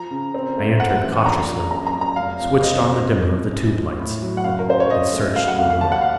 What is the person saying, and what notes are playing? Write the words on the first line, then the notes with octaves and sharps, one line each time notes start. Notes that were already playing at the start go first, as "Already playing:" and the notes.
I entered cautiously, switched on the dimmer of the tube lights, and searched the room.
Already playing: F3 A#5
C#3
C4
A3
A3 F#5
A1
A#1 A#5
A#1
F#2 A#5
A#5
F#2
A#5
F1 F5
F2
C4 D#5
C#3
C3
F2
F#2
F3
A2
F#3
F#5
F#1 F5
A#4
F#2 C5
C#5
C#3 D#5
A3
F#3 F5
F#5
C2 F5
F5
D#2 A5
F#5
F5